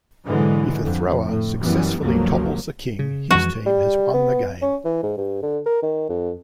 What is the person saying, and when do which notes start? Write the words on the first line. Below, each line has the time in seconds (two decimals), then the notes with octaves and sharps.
If a thrower successfully topples the king, his team has won the game.
0.25 G#2 B2 D3 E3 F#3 G#3
0.82 F2 D3
1.25 A2
1.61 F#2 E3 G3 B3
1.99 G1 C#2 F3 F#3 A#3
2.99 C#3
3.31 F2 E3 G#3 F#4
3.66 G3
4.13 B3
4.62 C#4
4.85 E3
5.03 G#2
5.18 G2
5.42 D3
5.66 A#4
5.83 D#3
6.09 F2